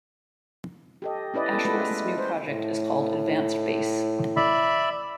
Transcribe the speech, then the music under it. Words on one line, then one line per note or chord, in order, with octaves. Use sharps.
Ashworth's new project is called Advance Base.
G4 A4 D#5
C#4 E4 B4 D5 D#5
B3 A4
G#3 A3 F4 A4 B4
G#3
C5
A2
D5 E5 B5